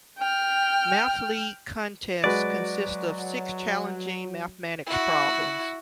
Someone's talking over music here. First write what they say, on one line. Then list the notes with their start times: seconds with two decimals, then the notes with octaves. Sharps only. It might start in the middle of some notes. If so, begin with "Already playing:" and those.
Math League contests consist of six challenging mathematics problems.
0.18 G5 F6
2.24 F#3 G#3 F#4 B4 D5
4.87 E4 F#4